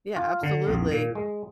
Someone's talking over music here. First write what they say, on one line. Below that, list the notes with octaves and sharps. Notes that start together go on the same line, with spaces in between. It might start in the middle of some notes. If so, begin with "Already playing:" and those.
Yeah, absolutely.
F4
D3
A#1 F2
A#2
G#3